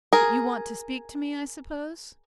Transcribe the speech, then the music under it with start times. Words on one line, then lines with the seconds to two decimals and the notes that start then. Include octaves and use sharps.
"But you want to speak to me, I suppose?"
0.13 G#4 A#4